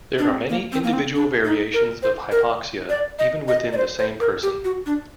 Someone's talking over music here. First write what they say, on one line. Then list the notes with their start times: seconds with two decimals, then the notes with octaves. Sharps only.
There are many individual variations of hypoxia, even within the same person.
0.18 D4
0.29 C4
0.49 A#3
0.72 C4
0.84 A#3
0.93 C4
1.15 D4
1.45 D#4
1.74 A#4
2.03 C5
2.31 A#4
2.89 D5
3.19 D#5
3.48 D#5
3.73 D5
3.77 C5
3.99 C5
4.20 A#4
4.43 G4
4.64 F#4
4.86 D4